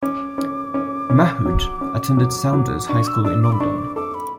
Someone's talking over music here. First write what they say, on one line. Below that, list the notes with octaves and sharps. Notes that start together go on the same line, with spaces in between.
Mahood attended Saunders High School in London.
C#4 D6
C#4
C#4
C#4
F#3
C#4
F#3
F#3
D4 C#6
E6
D4 E6
D6
B5
D4 C#6
D6
A4 D6
B5